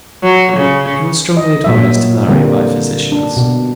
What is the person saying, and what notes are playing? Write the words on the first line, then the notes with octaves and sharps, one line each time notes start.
He was strongly advised to marry by physicians.
F#3
C#3
D#5
A#2 F#3 E5
D3 G3 A#3 C4
D4
B2